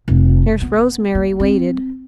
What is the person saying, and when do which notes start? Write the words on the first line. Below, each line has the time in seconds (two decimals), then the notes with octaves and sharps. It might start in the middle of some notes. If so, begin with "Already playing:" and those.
Nurse Rosemary waited.
0.08 F1
0.61 B3
1.15 A#3
1.40 C4